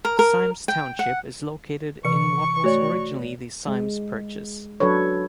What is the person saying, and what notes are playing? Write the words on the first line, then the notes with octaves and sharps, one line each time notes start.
Symmes Township is located in what was originally the Symmes Purchase.
A#4
A#4
G5
F#5
C3 E3 C#6 C#7
A3 F#4 C#5 D5
G#3
F#3 D4 A4 B4 C#5